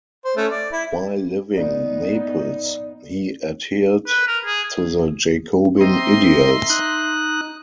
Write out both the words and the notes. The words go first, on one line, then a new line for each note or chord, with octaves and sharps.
While living Naples he adhered to the Jacobin ideals.
C5
A3 C#4
D5
E4
B3 D#4 D5
B4
A#4
G#4
C4 D#5 E5 A#5 C6
D#4 F#6